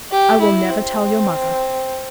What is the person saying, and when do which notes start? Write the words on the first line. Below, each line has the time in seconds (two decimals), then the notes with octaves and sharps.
I will never tell your mother.
0.11 G4
0.41 E4
0.70 C4